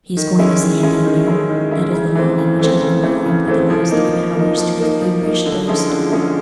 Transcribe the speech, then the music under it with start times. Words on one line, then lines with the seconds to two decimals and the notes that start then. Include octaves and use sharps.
He is going to see Hetty again: that is the longing which has been growing through the last three hours to a feverish thirst.
0.17 D#3
0.39 G#3 C#4 E4
0.61 D#3
0.83 G#3 C#4 E4
1.05 D#3
1.27 G#3 C#4 E4
1.49 D#3
1.71 G#3 C#4 E4
1.93 C#3
2.15 E3 A3 C4
2.37 C#3
2.59 E3 A3 C4
2.81 C#3
3.03 E3 A3 C4
3.26 C#3
3.47 E3 A3 C4
3.70 F3
3.91 A#3 D#4
4.13 F3
4.36 A#3 D#4
4.58 F3
4.80 A#3 D#4
5.02 F3
5.24 A#3 D#4
5.46 D3
5.68 F3 G#3 C#4 E4
5.90 D3
6.12 F3 G#3 C#4 E4